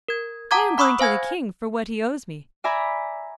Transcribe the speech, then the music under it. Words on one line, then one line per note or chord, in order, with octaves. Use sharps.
'I am going to the King for what he owes me.'
A#4 G#6
F#5 A5 A#5 D6 D#6 G#6
F#5 B5 C#6 D#6 E6 F#6
C5 F5 G#5 G#6
D5 E5 G#5 A#5 B5